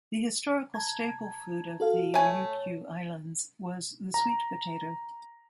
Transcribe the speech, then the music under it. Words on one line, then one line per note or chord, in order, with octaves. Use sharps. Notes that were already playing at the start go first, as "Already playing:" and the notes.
The historical staple food of the Ryukyu Islands was the sweet potato.
A5 A#5 G#6
F#4 A4 F5
A3 C#5 G#5
A#5